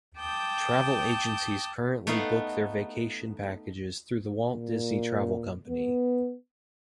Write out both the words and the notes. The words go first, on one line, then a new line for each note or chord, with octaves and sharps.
Travel agencies currently book their vacation packages through the Walt Disney Travel Company.
G5 A5 D6 D#6 G6
A3 B3 D#4 F5 F#5
A#2
B3